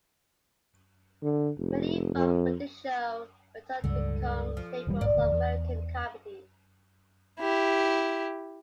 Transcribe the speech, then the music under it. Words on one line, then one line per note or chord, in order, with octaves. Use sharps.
Many involved with the show went on to become staples of American comedy.
D3
F1
F2
C#2 G2 D3
F3
F1 E3 G3
A#1 G#2 D5
D#1 D2
E2
E4 G4